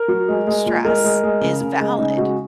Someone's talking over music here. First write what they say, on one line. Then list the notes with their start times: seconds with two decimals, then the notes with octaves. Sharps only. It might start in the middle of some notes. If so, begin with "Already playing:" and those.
stress is valid.
Already playing: A#4
0.08 F#3
0.28 G#3
0.47 G#3
0.66 A#2
0.85 G#3 A#4
1.04 G#3
1.23 G#3
1.41 C#3
1.61 C#3
1.80 G#3
1.98 C#3 D#4
2.17 G#3 F#4